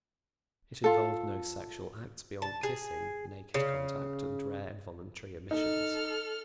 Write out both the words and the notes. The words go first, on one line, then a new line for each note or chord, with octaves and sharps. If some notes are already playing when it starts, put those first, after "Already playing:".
It involved no sexual acts beyond kissing, naked contact, and rare involuntary emissions.
F4 A4
A5
G#4
C#3
D#4 A4 F6